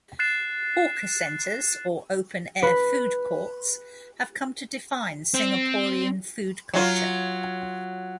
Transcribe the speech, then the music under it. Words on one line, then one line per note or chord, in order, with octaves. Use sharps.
Hawker centres, or open air food courts, have come to define Singaporean food culture.
F#6 A6 C7 E7
B4
C4
F#3 F4